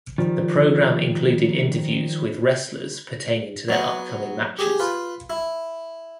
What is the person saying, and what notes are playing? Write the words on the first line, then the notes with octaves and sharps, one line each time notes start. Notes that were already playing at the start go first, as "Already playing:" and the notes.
The program included interviews with wrestlers pertaining to their upcoming matches.
D#3 F3 G3
F#3 B3
G4 G#4
F4 B4
E4